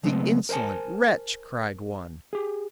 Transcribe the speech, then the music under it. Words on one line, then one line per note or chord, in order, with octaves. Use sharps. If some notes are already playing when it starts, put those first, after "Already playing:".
"The insolent wretch!" cried one.
C#3 F#3 G#3 A3 B3 C4
A#4 C5 C#5 G#5 A5
G4 G#4